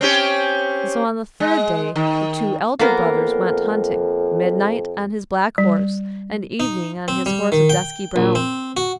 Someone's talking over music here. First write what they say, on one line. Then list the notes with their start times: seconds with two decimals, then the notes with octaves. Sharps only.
And so on the third day the two elder brothers went hunting--Midnight on his black horse, and Evening on his horse of dusky brown.
0.01 C4 C#4 G4
1.40 G#3
1.96 D#3
2.79 F2 A#3 B3 A#4
5.58 G3
6.60 D#4
7.08 C4
7.26 G3
7.52 D#3
7.70 G5
8.16 A#1
8.35 C4
8.77 F#4